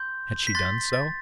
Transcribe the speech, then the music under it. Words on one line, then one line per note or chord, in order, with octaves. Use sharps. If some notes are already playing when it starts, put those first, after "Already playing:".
Had she done so?
Already playing: C6 G6
B6
C6 F#6 A6
A6